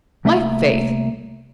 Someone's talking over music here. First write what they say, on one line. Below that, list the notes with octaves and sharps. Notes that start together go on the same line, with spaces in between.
My faith!
C2 A3 A#3 E5